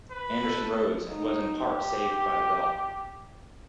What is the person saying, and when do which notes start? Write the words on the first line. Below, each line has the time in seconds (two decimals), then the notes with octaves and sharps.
Anderson rose and was in part saved by the bell.
0.12 B4
0.43 A4
1.11 D#4
1.69 G4